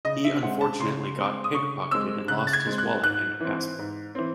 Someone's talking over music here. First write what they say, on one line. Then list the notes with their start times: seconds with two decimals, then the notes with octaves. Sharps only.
He unfortunately got pick-pocketed and lost his wallet and passport.
0.05 C#3 D#5
0.24 E5
0.42 G#3 C4 F#5
0.61 A5
0.79 C#3 C6
1.17 G#3 C4
1.44 D#6
1.55 C#3 C#6
1.91 G#3 C4 E6
2.28 C#3 F#6
2.47 A6
2.53 G#6
2.67 G#3 C4
2.78 F#6
3.03 G#2 F#6
3.40 E3 C4
3.79 G#2
4.15 E3 C4